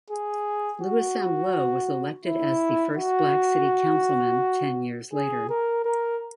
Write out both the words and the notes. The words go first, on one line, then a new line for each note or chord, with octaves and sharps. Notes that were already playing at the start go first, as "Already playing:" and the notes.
Lewis M. Lowe was elected as the first black city councilman ten years later.
G#4
F#4
E4
F#4
G#4
A#4
A#4